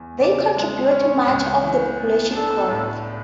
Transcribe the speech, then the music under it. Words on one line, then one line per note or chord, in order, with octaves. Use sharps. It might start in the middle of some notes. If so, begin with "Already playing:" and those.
They contribute much of the population growth.
Already playing: E2
C#3 D5
G#3
C#4 C#5
C#2
E3
B3
D4 A4
A2